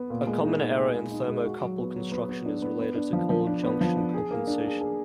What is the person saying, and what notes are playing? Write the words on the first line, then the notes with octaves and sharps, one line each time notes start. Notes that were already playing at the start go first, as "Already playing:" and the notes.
A common error in thermocouple construction is related to cold junction compensation.
Already playing: B3
A#2
G#3
D#4
A#2
G#4
G#3
D#4
G#3
F#4
F#3
B3
F#3
B3
B3
D4
B3
B3
D4
F3
F3
D4
B3
F3
D4
G#4
A#3
D4
G#4
G#4